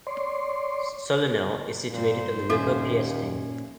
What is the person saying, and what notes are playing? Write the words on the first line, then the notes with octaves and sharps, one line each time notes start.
Sollenau is situated on the river Piesting.
C#5 D5 C6
G2 A#2 C5
D#2 A#2 C#4 A4 E5